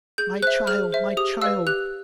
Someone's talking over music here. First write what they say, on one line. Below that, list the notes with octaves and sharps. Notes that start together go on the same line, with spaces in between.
'My child, my child!
G#4 G6
C5 E5 F#6
G#4 F6
C5 E5
G4 D#6
B4 D5 F5 E6
G4 F#6